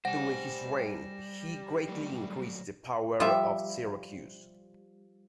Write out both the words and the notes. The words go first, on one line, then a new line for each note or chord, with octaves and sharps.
During his reign, he greatly increased the power of Syracuse.
G3 C5 F#5 G#5 A#6 E7
F#3 A3
F3 G3 F4 E5